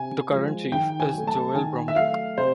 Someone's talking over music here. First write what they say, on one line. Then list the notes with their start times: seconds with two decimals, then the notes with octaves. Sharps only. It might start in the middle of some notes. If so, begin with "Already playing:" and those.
The current Chief is Joel Brumlik.
Already playing: C3 G#5
0.31 F3 G#3
0.72 D#3 G5
1.00 G#5
1.14 F#3 A3
1.27 A5
1.55 D#3 G#5
1.88 E5
1.96 F#3 A3 F5
2.38 C3 C5